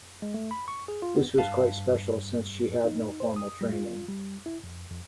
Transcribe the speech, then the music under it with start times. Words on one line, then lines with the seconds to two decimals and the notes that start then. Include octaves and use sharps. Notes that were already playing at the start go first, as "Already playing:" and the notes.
This was quite special since she had no formal training.
0.22 G#3
0.34 A3
0.51 B5
0.68 C#6
0.88 G#4
1.02 F4
1.16 B3
1.38 G2 B4 F5 A5
2.85 D#4
3.20 C5
3.36 D#6
3.61 G3
3.73 F4
4.08 G3
4.46 E4
4.63 F2
4.90 F2